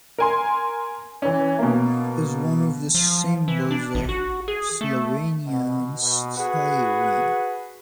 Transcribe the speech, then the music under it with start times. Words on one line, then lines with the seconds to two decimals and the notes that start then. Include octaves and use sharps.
It is one of the symbols of Slovenia and Styria.
0.18 A#4 G#5 C6
1.22 E3 C#4
1.59 B2 A#3
2.95 F3
3.48 E3
3.71 D4
3.95 A1
4.09 F#4
4.48 G#4
4.81 A3
5.45 B2
6.02 B2
6.37 F#4 G#4 B4